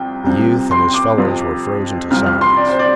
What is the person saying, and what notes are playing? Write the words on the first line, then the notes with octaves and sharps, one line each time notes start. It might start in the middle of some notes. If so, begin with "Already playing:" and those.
The youth and his fellows were frozen to silence.
Already playing: C2 C3 F3 G5
C2 C3 F3
C6
D6
F2 C3 F3
C2 C3 F3 F6
F6
C6
D5
C5
D5